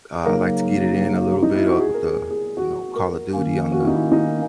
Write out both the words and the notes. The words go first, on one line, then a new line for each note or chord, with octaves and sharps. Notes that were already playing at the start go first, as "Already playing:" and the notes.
uh, I like to get it in a little bit, uh, with the you know, Call Of Duty on the
C#3 F#3 A#3 D#4 A#4
D#4
E4
F#4
G#4
A#4
G#4
G#4
F#4
A#4
D#3 A#3 C#4
F#4
E4
D#4
E4
D#4